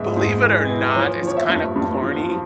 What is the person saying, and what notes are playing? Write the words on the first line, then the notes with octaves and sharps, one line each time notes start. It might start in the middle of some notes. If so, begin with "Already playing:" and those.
believe it or not, it's kinda corny
Already playing: G#2 E3 E5
G#2
E3
E3
F3 C#5
F3 C#5
E5
G2
G2
F3
F3